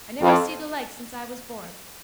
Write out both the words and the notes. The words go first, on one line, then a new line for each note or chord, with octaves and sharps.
I never see the like since I was born.
F2